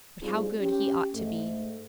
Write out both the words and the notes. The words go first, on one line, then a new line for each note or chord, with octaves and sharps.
But how good he ought to be!'
G2 G3 C4 D#4 F4 G#4
C#4 G4
G#2 A3